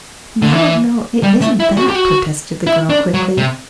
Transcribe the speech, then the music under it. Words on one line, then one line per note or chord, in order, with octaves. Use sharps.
"No, no, it isn't that," protested the girl quickly.
D3
E3
G3
A3
E4
F#4
G4
F#4
E4
D4
F#3
C3